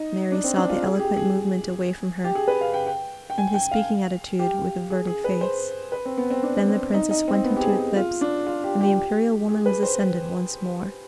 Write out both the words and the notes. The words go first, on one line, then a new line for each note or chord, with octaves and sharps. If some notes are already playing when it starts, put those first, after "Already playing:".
Mary saw the eloquent movement away from her and his speaking attitude, with averted face; then the princess went into eclipse, and the imperial woman was ascendant once more.
Already playing: D#4
D4
C4
D4
F4
G#4
G#4
G4
G#4
G4
G#4
B4
F5
G5
G5
G5
G#5
G5
F5
G4
G#4
G#4
B4
C5
B4
C4
B3
C4
D4
C4
D#4
D#4
C4
B3
G4
G#4
G#4
F4
D4
F4
G4
G4
G#4
B4
C5